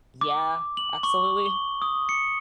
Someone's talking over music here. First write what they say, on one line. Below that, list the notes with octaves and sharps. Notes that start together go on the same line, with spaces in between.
Yeah, absolutely.
D6
F#7
C#6
G7
D#6
C#7